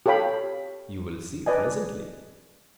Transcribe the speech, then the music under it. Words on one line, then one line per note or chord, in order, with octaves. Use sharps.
"You will see presently."
G4 A4 C#5 F5 B5
B4 D5 D#5 G#5